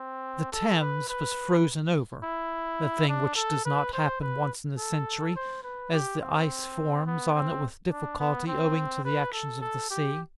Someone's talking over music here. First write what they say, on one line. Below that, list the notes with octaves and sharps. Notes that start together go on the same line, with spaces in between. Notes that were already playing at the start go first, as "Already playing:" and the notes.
The Thames was frozen over--a thing which does not happen once in a century, as the ice forms on it with difficulty owing to the action of the sea.
Already playing: C4
A4
B4
B4
E4
D4
A4
B4
C5
B4
A4
C5
B4
G4
C4
B3
C4
D4
B3
C4
B4
A4
A4
G4